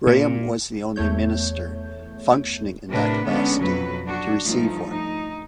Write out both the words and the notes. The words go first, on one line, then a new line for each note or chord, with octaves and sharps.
Graham was the only minister, functioning in that capacity, to receive one.
A#2
E2 A3 C#5 G6
A2 C3 D4 A#4 B4
D3 G#3 B3 C#4 D4
F2 B2 F#3 B4
D4 F#4
G2 F3 A3 D#4
D#4